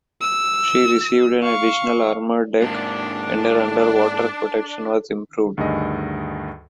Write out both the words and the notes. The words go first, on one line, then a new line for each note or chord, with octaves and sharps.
She received an additional armored deck, and her underwater protection was improved.
E6
F5 C#6
G#2 A#3 D4
D2 G2 D#3 G#4 D#5